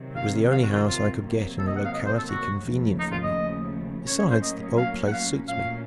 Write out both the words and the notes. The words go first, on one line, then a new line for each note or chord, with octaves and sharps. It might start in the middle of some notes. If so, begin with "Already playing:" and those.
It was the only house I could get in a locality convenient for me; besides, the old place suits me.
Already playing: C3 D#3 F#3 C4
F5
F5
F#4
F4
F4
C3 D#3 F#3 A#3
A4
D#5
F#5
F5
D#5
C5
A4
F#4
D#2 C#3 F3 A3
D#4
F4
D#5
A2 F#3 A#3 C#4 C#5
C#5
C5
D#5
F5
F#5
F5
A#2 F#3 A3 C#4 F5